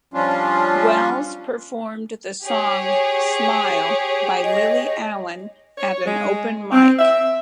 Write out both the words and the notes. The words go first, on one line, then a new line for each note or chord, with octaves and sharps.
Wells performed the song "Smile" by Lily Allen at an open mic.
F3 G3 C#4 D4 F4
G4 G#4 C#5
D#5
C#5
G#3
C4
E5